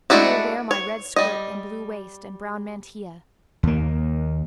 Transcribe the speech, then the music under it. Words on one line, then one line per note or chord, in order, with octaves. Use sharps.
He will wear my red skirt and blue waist and brown mantilla.
G#3 A3 D4 E4 F#4
C#5
G3 D#5
D#2 A#3